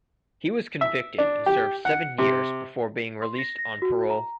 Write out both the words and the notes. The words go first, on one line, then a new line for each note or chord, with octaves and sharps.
He was convicted and served seven years before being released on parole.
E5
D4
G4
F#5
C3
C6
A#6
A#6
F#4
A#5